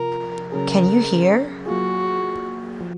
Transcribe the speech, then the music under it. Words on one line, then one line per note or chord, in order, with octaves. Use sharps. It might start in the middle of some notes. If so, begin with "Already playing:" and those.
Can you hear?
Already playing: C3 F3 F4 A#4
C#3 F#3 C#4 G#4 A#4
F#3 A#3 F4 F#4 G#4
F3